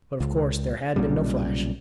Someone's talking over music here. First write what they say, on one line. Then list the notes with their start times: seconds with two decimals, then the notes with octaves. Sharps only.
But of course there had been no flash.
0.20 C#2
0.96 B1 A#2 C#3 G3